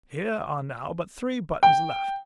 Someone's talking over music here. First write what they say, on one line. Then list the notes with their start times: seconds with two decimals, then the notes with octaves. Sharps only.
Here are now but three buttons left.
1.63 G5